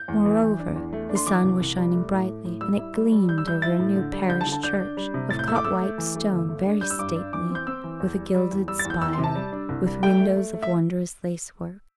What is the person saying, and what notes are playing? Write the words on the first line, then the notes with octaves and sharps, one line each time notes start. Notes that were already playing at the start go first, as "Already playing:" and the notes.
Moreover, the sun was shining brightly, and it gleamed over a new parish church, of cut white stone, very stately, with a gilded spire, with windows of wondrous lacework.
Already playing: G6
E2
E3
E3
D4
E2
A3
D4
C6
E3 D6
C2
C2
G3
A3
A2
A3
A2
G3 E6
E4
G3
G3
G3 G6
E6
G3 G6
E4 A6
A2
D3
G3
D3 G6
A5
D3
A5
D4 G6
D4
G3
C3
A2 A6
G6
A3 E6
D6
A3 E6
A3
E3
A3
G1
A3
D4
G3 G6
E6
G2 D6
D4
E3 D6
C4
G6
C4 E6
E3
E2
G3
G3
E2
G3 E6
A6
E2
G6
E2 E6
C6
C3
A5
G3
D4
C2
G3
A3 G5
A3
A3
A3
E5